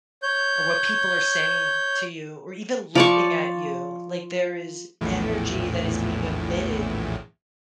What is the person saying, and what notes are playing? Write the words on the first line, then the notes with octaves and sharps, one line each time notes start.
Or what people are saying to you or even looking at you, like, there is energy that is being emitted.
C#5 G6
F3 D5 C#6
A#1 E2 A2